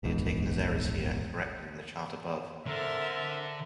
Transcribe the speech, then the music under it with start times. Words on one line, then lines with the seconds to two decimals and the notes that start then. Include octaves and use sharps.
They are taken as errors here, and corrected in the chart above.
0.03 D1 A#1 E2 G#2
2.67 D3 C4 A4 A#4 E5